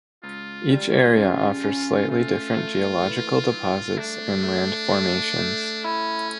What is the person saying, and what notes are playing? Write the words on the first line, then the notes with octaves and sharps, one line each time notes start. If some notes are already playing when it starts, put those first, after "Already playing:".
Each area offers slightly different geological deposits and land formations.
C#2 F4
G3
C#3
C#4
A3 F4
A3
E3
G2
A3 D4
A3
A3
A3
C#4 E4